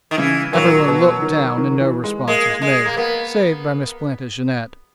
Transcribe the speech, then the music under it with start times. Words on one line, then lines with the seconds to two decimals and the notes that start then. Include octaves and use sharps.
Everyone looked down and no response was made, save by Miss Plantagenet.
0.11 D#3
0.18 C#3 E3
0.53 A#2 F#3
0.88 B2
1.22 D#3
1.57 D#3
1.80 E3
2.04 G#3
2.27 G#3 A#3
2.62 G#3
2.86 A#3
2.97 A#3 B3